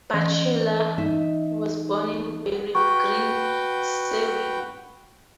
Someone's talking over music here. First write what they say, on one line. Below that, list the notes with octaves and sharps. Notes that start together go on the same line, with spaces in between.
Batchelor was born in Beare Green, Surrey.
E3
D#4 E5
F#4 B4 G5 C#6